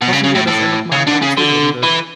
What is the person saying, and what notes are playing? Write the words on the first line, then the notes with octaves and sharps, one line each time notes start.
Hoffen wir, dass er nochmal ein Auge zudrücken wird.
B2
C#3
C#3
A2
A2
C#3
D3
C#3
D3
E3